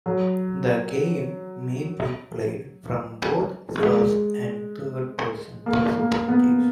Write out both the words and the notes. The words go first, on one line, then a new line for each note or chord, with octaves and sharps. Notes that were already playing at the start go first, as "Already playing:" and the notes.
The game may be played from both first- and third-person perspectives.
F#3
G#3
A#3
A#3
B3